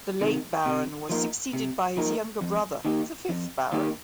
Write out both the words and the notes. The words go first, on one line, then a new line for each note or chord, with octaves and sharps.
The late Baron was succeeded by his younger brother, the fifth Baron.
C3 D#3
C3
F3 A#3 D#4 A#4
C3
F3 A#3 D#4 A#4
F2
D#3 A#3 D#4 G4
F2
D#3 A#3 D#4 G4